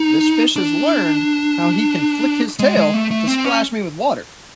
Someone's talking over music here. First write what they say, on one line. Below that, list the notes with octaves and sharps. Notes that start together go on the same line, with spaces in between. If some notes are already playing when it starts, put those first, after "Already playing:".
this fish has learned how he can flick his tail to splash me with water.
Already playing: D#4
D4
G#3
G#3
A3
A3
C4
C#4